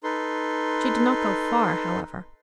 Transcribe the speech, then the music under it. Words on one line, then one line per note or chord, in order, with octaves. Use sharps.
She did not go far, however.
D#4 A4 B4 C6